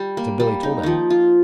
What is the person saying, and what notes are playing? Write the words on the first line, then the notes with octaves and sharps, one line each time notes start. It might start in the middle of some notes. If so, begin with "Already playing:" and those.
So Billy told him.
Already playing: G3
A#3
G3
D#4
D#3 F3
F4